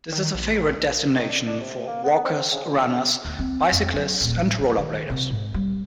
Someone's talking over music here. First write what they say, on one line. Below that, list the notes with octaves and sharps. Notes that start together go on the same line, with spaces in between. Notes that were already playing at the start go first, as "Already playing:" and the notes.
This is a favourite destination for walkers, runners, bicyclists, and roller-bladers.
D#3
A#1
D#3
D4
D4
C3
A#3
B3
C4
C#3
A#2
D2
C4
F2
F#3
D#1
A1
D2
D#3
C3
G#2
G3